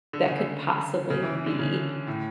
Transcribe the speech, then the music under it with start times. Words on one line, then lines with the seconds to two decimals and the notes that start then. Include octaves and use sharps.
that could possibly be"
0.13 D3
0.26 C#3
0.38 D3
1.10 C#3
1.23 E3
1.35 E3
1.46 D3
1.59 C#3
2.07 A2